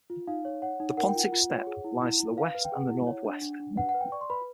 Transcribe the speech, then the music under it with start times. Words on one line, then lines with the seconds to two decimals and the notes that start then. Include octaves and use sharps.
The Pontic Steppe lies to the west and northwest.
0.10 F4
0.27 D#4 F5
0.45 C#5
0.62 C#5 F#5
0.80 D#4
0.97 A#4 F#5
1.08 G5
1.15 F4 F#5
1.32 F4
1.50 C#5
1.67 G#4
1.84 E4
2.02 E4
2.20 E4
2.37 B4 F5
2.55 B4
2.65 G5
2.72 G#4 F#5
2.90 E4
3.07 C#5
3.24 D4
3.42 D4
3.60 D4
3.77 B4 F#5
3.89 F#5
3.94 B4
4.01 G5
4.12 D5 C#6
4.21 C6
4.30 B4 B5